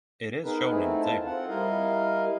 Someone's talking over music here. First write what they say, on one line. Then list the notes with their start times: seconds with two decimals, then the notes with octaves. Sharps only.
It is shown in the table.
0.44 B3 D#4 G#4 A#4 B4
0.70 A3 C4 D#4 E4
1.02 F4 A5
1.26 C4 F4 F#5
1.48 G3 E4 A#4 D#5 F5